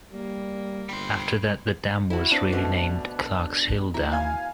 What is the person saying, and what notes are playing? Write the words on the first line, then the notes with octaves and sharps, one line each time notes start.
After that the dam was renamed "Clarks Hill Dam".
G3 A#3
G1 G3 C5
E4 F#4
C4 D4 B4 D6
B2 A3
E4 E5 A#5
F5 G#5 G#6